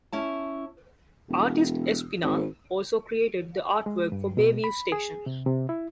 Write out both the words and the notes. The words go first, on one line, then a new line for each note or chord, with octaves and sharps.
Artist Espinal also created the artwork for Bayview station.
C#4 E4 A5
E1
G#1
G#3
G2
B2
B5
G#4
C3
C3
E4